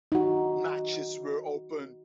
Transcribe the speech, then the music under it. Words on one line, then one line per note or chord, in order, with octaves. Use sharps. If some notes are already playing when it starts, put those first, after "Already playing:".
Matches were open.
D#4 F#4